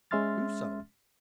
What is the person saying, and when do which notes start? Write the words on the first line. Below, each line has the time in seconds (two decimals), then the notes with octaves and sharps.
"Do so."
0.11 G#3 C#4 E5 C6 F6 A6